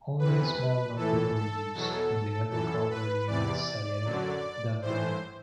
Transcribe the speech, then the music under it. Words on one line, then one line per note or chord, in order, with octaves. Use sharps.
Only a small number were used, in the undercover unit Sayeret Duvdevan.
E2 C3 E3 B4
A2 E3 A4
A4
E2 B2 F#3 A4
F#2 E3 A4
B4
E2 C3 E3 D5
F#2 D3 F#3
A2 E3 C5